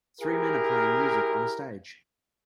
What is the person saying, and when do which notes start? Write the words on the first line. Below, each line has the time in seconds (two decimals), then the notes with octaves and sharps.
Three men are playing music on a stage.
0.20 E4 G4 G#4 A#4